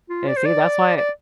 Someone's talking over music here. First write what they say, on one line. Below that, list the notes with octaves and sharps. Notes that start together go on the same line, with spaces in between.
and see that's why
F4
D5
C5
D5
D5